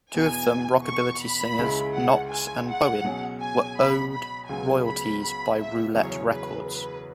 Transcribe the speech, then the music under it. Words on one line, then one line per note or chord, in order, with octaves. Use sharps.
Two of them, rockabilly singers Knox and Bowen, were owed royalties by Roulette Records.
E2 B2 B3 F#4 G#5
C#6
B5
C#2 C#3 G#3 E4
F#5
G#5
F#5
B2 F#3 C#4 G#4
G#5
B5
B5
C#2 C#3 F#3 B3 G#5
B5
B5
E5
E2 C#3 F#3 C#4 G#4 C#5
B4
B4